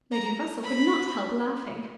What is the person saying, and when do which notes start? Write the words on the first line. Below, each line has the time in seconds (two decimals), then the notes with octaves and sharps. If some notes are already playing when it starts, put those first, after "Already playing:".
Lady Russell could not help laughing.
0.12 A#5
0.63 B5